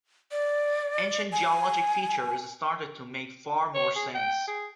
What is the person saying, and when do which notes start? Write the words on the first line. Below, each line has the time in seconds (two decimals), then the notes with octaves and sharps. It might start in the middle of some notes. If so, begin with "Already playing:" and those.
Ancient geologic features started to make far more sense.
0.32 D5
1.32 G#5
3.75 C#5
3.96 G#4
4.15 G5
4.48 G#4